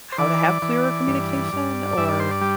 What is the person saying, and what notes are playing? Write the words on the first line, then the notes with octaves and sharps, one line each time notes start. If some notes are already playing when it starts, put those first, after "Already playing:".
how to have clearer communication? Or,
C5
E3 D5
E3
G2
G2
G2 E5
D5
C5
D5
G3